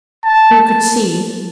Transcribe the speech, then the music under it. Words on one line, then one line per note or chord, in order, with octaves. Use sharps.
Who could see?
A5